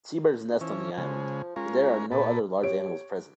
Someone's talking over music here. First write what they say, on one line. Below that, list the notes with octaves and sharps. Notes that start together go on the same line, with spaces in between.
Seabirds nest on the island, but there are no other large animals present.
D#4
E3 F3 C#4
C#3 G#3
G#3 C#4 F4 A#4
F#2 A#2 A4 B4
G4 C#5 D7